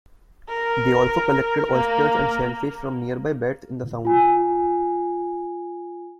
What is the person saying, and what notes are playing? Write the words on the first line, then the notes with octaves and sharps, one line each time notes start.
They also collected oysters and shellfish from nearby beds in the Sound.
A#4
A#3
F4 G#5